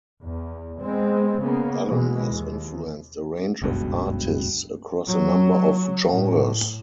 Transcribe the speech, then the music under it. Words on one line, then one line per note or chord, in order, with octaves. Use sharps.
Allen has influenced a range of artists across a number of genres.
E2
G#3 B3 C4
C#3 A#3 B3
B2 E3 G#3
D#2
F#1 C#2 G2 B2
F#3
A2